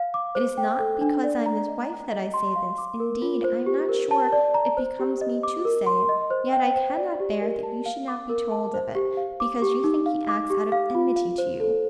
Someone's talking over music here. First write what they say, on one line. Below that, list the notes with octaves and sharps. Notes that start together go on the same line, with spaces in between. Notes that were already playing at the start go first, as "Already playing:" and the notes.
It is not because I am his wife that I say this--indeed I am not sure it becomes me to say it; yet I cannot bear that you should not be told of it, because you think he acts out of enmity to you.
Already playing: F5
D6
C5
G5
A4
D4
D5
A#5
D#5
A#5
D#5
C6
F5
D6
A#4
F4
C5
G4
A#4
A5
D5
A#5
C5
G4
D#5
D6
A#4
C6
D#5
C5
G5
C5
D5
G4
A#4
A5
F5
D6
A#4
A5
C5
G4
F5
D6
G4
D#4
F5
D6
G4
F5
F4
F5
C5
A4